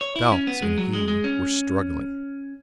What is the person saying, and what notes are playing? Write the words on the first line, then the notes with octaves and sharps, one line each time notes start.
Doubts and he were struggling.
C#5
E4
C#4
B3
G#3
F#3
G#3
G#3
C#4